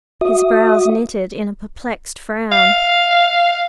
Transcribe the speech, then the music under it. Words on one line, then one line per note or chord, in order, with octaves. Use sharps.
His brows knitted in a perplexed frown.
F#4 E5 D#6
F5